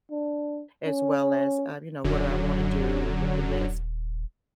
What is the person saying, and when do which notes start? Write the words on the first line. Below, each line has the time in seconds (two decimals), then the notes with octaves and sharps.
as well as, uh, you know, what do I wanna do with the next,
0.11 D4
0.86 C#4
2.04 D#1 F#2 D3 F#3